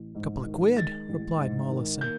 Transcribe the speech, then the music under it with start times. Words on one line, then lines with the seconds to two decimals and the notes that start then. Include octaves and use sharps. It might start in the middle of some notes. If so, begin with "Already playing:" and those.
"Couple o' quid," replied Mollison.
Already playing: A1
0.15 G#2
0.46 D#3
0.77 G#3 A6
1.09 A1
1.39 G#2
1.70 D#3
2.01 A#3 G6